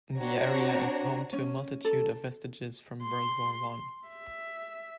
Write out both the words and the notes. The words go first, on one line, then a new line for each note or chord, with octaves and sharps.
The area is home to a multitude of vestiges from World War One.
C4 D4 F#4 C#5 A#5
C#4
A4
C6
E5